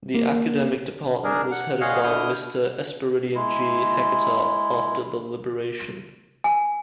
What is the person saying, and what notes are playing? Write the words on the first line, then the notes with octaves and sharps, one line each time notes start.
The academic department was headed by Mr. Esperidion G. Heceta after the liberation.
A#3
D4 G#4 A#4
F#5
A#2 G#4 C#5 D#5 F5 F#5
B2 D3 E4 D#6 F6 G6
G#3 E4
G#5